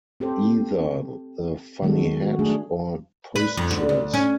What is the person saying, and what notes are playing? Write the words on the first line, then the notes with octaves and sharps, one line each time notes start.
Either the funny hat, or postures.
C4 G4 A4 C5
D#3 F#3 G#3 B3 F#4 A4
F#4
A3 D4 G#4
B4
F2
D2
D2
C#4